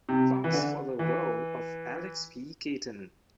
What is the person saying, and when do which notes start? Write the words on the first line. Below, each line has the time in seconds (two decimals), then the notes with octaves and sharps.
Fox for the role of Alex P. Keaton.
0.09 C3
0.44 E3
0.53 D3
0.99 E3